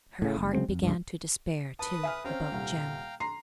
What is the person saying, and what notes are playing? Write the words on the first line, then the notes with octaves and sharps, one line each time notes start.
Her heart began to despair, too, about Jem.
A2 C#3
F#1
C#3 F#3 G#3 C4
F2
C#2 G2
B4 A5 D#6
E5 G#5 F6
C4 C#4 C5 F5 G5 A#5
D#1 C2
A#5 C6 C7